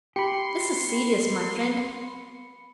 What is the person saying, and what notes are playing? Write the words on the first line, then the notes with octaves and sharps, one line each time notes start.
This is serious, my friend!
G4 B5 C6 C#7